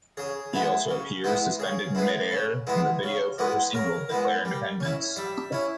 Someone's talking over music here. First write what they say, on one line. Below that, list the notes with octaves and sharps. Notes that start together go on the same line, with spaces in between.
He also appears, suspended in mid-air, in the video for her single Declare Independence.
C#3 G#4
G#3 B3 E4
C#3
G#3 B3 E4
C#3 G#4
G#3 B3 E4
C#3
G#3 B3 E4
C#3
G#3 B3 E4
C#3 A#4
G#3 B3 E4
G3
C#4 E4
G3 E5
C#4 E4